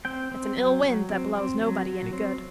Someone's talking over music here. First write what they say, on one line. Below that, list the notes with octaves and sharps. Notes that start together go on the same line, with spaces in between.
"It's an ill wind that blows nobody any good."
C4 G5
C4
F#3
F#3
C4
C4
F#3
F#3
C4